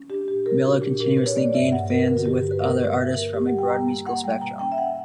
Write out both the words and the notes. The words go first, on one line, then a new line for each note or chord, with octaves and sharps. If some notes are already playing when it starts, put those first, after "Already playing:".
Miller continuously gained fans with other artists from a broad musical spectrum.
Already playing: C#4
D4 G4
A#2 G4
A#2 A#4
D4 F#4
A#2 G4
A#2 A#4
A#2 B4
C#5
A#3 D5
G2 E5
G2 F#5
G2 A#4
B4
D3 A#4
F#4
G2 G4
G2
B4
A#3 A#4
G2 B4
B2 E5
A#3 A#4
C#4 G4
F#5
G3
G5
G3 A#5
A#3 A#5
A#3 F#5
G3 G5
B2 A#5
C#4 G5
E5
C#4 F#5